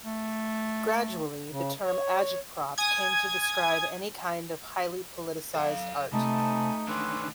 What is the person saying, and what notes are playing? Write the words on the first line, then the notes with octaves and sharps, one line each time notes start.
Gradually the term "agitprop" came to describe any kind of highly politicized art.
A3
C#3
C#5
G#5 D#6 G#6
A4 F5
C3 A3 D#4 G#5 A5 B5
D3 D#3 C#4 B4 C6 D6 E6 F#6